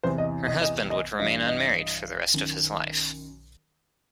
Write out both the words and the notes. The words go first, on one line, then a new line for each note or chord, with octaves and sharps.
Her husband would remain unmarried for the rest of his life.
E2 C3 E3 C5
D#5
D#5
D#5
D#5
G2 E3 D#5
D#5
F#2 D#3